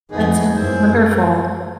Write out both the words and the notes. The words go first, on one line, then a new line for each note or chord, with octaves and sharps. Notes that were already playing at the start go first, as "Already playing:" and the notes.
That's sounds wonderful.
F2 B3 D#4 G#4
F#2 C4 E4 G#4 C5